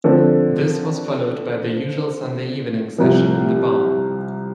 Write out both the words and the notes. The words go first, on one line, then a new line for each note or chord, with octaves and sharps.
This was followed by the usual Sunday evening session in the Barn.
D3 F3 C4 A4
C2 C3 F3